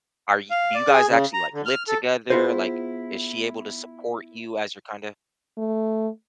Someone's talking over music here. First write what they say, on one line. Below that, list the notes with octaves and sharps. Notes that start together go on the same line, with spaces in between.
are y do you guys actually, like, live together? Like, is she able to support you as your kinda
F5
D5
G#4
C#3
A#5
D3
F6
A4
B3 E4 F4 G#4 C5
A3